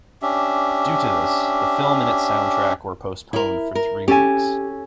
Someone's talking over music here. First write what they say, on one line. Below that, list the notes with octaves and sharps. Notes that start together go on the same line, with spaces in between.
Due to this, the film and its soundtrack were postponed for three weeks.
C#4 D4 G4 E5
E4 A#4
A#4
C#4 G4 A4 G#5